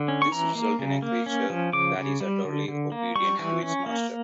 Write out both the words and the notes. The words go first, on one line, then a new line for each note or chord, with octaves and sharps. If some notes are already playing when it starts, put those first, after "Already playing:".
This results in a creature that is utterly obedient to its master.
Already playing: D3
C#4
C#6
E3 A#5
A#3
C#3
A#3
C#4
F3
C#3 D6
C#3
G3
D3
D3
A#3
G3 C#6
E3
C#4
A#3